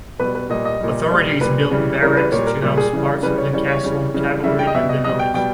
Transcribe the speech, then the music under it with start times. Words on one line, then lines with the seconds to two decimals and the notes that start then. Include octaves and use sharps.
Authorities built barracks to house parts of the castle cavalry in the village.
0.19 B2 G3 B4
0.35 B4
0.50 A#2 G3 D#5
0.65 D#5
0.80 A#2 G3
1.10 A#2 G3
1.41 A#2 G3 B4
1.71 C#3 E3 G3
2.01 C#3 E3 G3 A#4
2.17 B4
2.32 A#2 G3 C#5
2.47 A#4
2.62 A#2 G3 G4
2.77 G#4
2.93 C#3 E3 G3
3.22 C#3 E3 G3 B4
3.38 C#5
3.53 C#3 E3 G3 C#5
3.68 C#5
3.83 C#3 E3 G3
4.14 C#3 E3 G3
4.44 C#3 E3 G3 E5
4.59 G5
4.67 D#5
4.75 B2 G3 E5
4.89 D#5
5.04 B2 G3 D#5
5.19 G5
5.34 B2 G3 G5